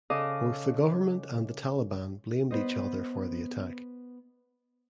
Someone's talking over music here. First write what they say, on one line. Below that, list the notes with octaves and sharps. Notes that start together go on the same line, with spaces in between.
Both the government and the Taliban blamed each other for the attack.
C#3 A4 D#5 F5 D6 D#6
B3 C5 D#5